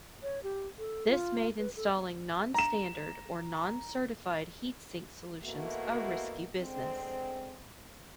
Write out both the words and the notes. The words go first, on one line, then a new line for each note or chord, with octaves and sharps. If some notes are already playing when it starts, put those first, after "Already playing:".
This made installing non-standard or non-certified heatsink solutions a risky business.
C#5
G4
A4
F4
B4
A4
A#5 E7
B2 A3 A#3 E4 F#4
D3 G#3 C4